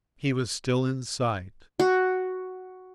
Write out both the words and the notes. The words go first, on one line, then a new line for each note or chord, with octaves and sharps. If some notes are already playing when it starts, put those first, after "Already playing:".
He was still in sight.
F#4